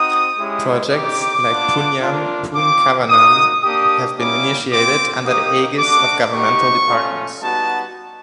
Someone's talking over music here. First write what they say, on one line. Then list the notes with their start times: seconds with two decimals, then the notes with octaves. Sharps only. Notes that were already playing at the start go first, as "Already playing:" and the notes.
Projects like "Punyam Poonkavanam" has been initiated under the aegis of governmental departments.
Already playing: C4 D#4 F#4 D#6
0.39 G#3 C#4 E4 G4
0.93 C4 D#4 G4 D6
1.47 B3 D4 F4
2.01 A#3 D4 F4
2.55 C4 F4 D6
3.08 A#3 D#4 F#4 D#6
3.62 A#3 D4 G4 D#6
4.17 G3 A#3 C#4 E4 D6
4.71 C4 F4 D6
5.25 A#3 D#4 G4 D#6
5.78 A3 D4 F#4 D6
6.32 B3 D#4 G4 C#6
6.86 A3 C#4 F4
7.41 G3 B3 D#4 F#4 A5